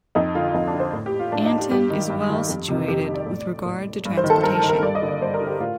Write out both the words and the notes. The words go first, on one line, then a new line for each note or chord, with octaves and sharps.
Anton is well situated with regard to transportation.
F2 D#4
D3 F4
F2 D#4
D4
D3
C5
A2
G4
F4
A2 D4
D#4
G4
G2 G4
D#3
G2
D#3
F2
C3 D#3
F2 G4
G4
C3 D#3
D5
A2
A2
G2
C5
D#3
A4
G2 A#4
D#3
A#4
G2 D5
D#5
D3
D5
G2 C5
A#4
D3
G4
A2 F4